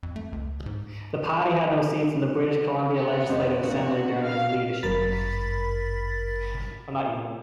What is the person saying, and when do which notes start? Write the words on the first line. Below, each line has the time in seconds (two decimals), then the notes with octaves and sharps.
The party had no seats in the British Columbia Legislative Assembly during his leadership.
0.03 F2
0.16 A3
0.32 C#2
0.66 G#2
2.96 B3
3.29 F1 C5 D#5
3.63 A#1 C3 A#3 D4 F#4
4.22 F5
4.83 G1 F#2 A#4 B5 A6 B6